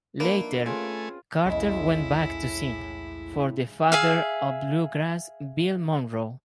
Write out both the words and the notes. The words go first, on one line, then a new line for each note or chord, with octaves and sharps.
Later, Carter went back to sing for the "Father of Bluegrass", Bill Monroe.
F3 A#3 D4 D#4 B4 E5
A3 C4 C#4 F4 G#4 G#5
B1 E2 A2 C#3 G#3 E4
G#4 E5 F5